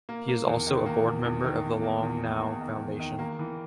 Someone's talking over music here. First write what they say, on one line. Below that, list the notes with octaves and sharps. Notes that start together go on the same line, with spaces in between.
He is also a board member of the Long Now Foundation.
A#3
A#3
E2
D#3
A#3
E2
E2
D#3
E2
A#3
E2
A#3
A#3
D#3
E2
D#3
A#3
E3